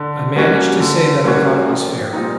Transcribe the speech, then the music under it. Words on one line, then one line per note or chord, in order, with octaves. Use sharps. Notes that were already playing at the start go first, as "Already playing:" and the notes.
I managed to say that I thought it was fair.
Already playing: D3
G3 A#3 C#4 F#4
D3
G3 A#3 C#4 F#4
A#1
A#2 G3 C4 D#4